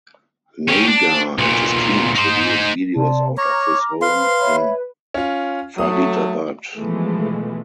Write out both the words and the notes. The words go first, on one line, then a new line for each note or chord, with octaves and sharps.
Nagar and his team produce videos out of his home in Faridabad.
C#4 G4
D4
B1 A#2
D#4 C5
C3 D5 A5 C6
C#5 A#5 D6 F6
B4 C5 F5 C6
C#5 E5 B5
C#4 F4
F#3 A3 D#6
B2 E3 F3 G#3 A3